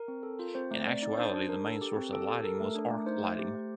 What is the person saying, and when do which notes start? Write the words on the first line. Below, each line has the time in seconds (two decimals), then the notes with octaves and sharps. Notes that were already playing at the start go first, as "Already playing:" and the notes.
In actuality, the main source of lighting was arc lighting.
Already playing: A#4
0.08 C4
0.23 A4
0.39 F4
0.55 C4 C5
0.71 A3
0.87 C4 D5
1.02 D#4 D5
1.17 D4 C5
1.33 D4
1.49 D4 A#4
1.65 A4
1.81 G4
1.96 C4
2.12 G4 A4
2.28 G4 A4
2.44 A4 A#4
2.60 A3
2.75 D4
2.91 A3
3.06 D#4 C5
3.23 A3
3.39 G4
3.54 A3